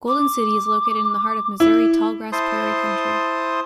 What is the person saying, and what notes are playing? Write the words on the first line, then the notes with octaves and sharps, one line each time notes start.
Golden City is located in the heart of Missouri Tall Grass Prairie country.
D6
E4
E4 C5 A5 C6 D#6